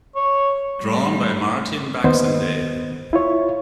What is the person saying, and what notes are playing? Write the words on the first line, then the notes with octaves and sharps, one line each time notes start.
Drawn by Martin Baxendale.
C#5
A2 G3
D#2 B3 C5 D#5
E4 F4 C#5